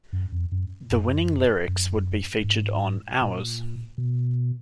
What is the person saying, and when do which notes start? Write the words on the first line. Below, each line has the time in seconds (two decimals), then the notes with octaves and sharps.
The winning lyrics would be featured on "Hours".
0.13 F#2
0.32 F2
0.52 F#2
0.91 F#2
1.68 F#2
2.44 G#2
3.21 A#2
3.98 B2